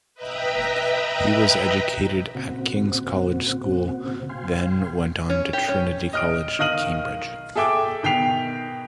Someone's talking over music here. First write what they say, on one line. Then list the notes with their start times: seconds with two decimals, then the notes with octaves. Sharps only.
He was educated at King's College School then went on to Trinity College, Cambridge.
0.14 B4 D#5 E5 G5 A#5 B5
2.35 A#2 C#3 C4 F#4
4.29 F5 G5 G#5 C6
5.30 C#4
5.53 G4
5.69 C#4
6.13 D#5 F6 D7
6.59 D#3 D#5 F5 F6 D#7 F#7
7.56 G#4 A4 E5 G5 D6
8.03 B2 D#3 G5 B6 C7 F7